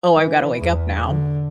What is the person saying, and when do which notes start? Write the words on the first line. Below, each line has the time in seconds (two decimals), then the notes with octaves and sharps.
Oh, I've gotta wake up now.
0.17 E3
0.60 E2
1.04 D3